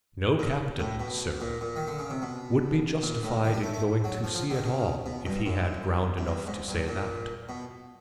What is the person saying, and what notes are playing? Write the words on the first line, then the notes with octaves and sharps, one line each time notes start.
No captain, sir, would be justified in going to sea at all if he had ground enough to say that.
A#2
A2
B2
A#2
A#2
D#3
D3
C#3
C3
B2
A#2
A2
D#3
G3
A3
A3
F#3
F3
F3
D3
D#3
C#3
B2
G2
F#2
F#2
G2
G#2
G2
A#2
B2